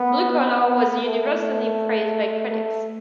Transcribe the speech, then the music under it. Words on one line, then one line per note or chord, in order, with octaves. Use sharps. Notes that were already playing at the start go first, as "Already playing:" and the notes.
"Blue Collar" was universally praised by critics.
Already playing: B3
B3
B3
A3
A3